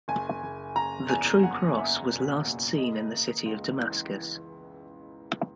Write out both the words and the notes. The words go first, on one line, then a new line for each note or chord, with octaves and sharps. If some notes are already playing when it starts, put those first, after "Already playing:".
The True Cross was last seen in the city of Damascus.
F#1 G#5
F#1
F#1 A#5
E2 G#5
A#3 F#5
F#1 E5
B2
A#3
C#3 D#5
A#3
C#2
E3
E3